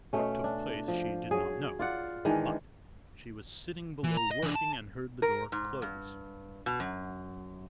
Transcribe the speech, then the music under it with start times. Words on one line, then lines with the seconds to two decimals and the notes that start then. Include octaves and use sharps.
What took place she did not know, but she was sitting below working, and heard the door close.
0.13 B2 A3 C#4
0.44 D4
0.88 F3
1.31 F#3 G#4
1.79 F4 D5 F#5
2.25 D#3 E3 G#3 D4
4.04 E3
4.17 A#5
4.31 D#5
4.43 E3 D4
4.55 A5
5.22 A#4
5.52 G#2
5.82 G2
6.66 B2
6.80 F#2